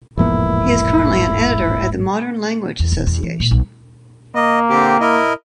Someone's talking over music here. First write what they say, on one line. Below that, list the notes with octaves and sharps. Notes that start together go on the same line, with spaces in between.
He is currently an editor at the Modern Language Association.
E1 A1 G#2 F3 A#3 B3 E4
E2
D#1
E2
E3
A#2
B1
A#3 D#5
D3 C4 G4
E4 A#4 D#5